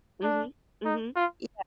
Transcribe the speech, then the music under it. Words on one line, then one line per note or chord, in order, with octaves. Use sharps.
Mhm, mhm. Yeah.
D4
D#4
F4